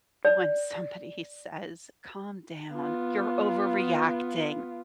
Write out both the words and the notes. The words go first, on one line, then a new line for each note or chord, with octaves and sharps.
when somebody says, "Calm down, you're overreacting,"
D5
B3 F4